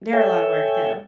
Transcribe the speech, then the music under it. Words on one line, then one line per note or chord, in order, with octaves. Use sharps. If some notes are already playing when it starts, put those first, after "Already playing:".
They're a lotta work though.
A4 C#5 E5 G5 G#5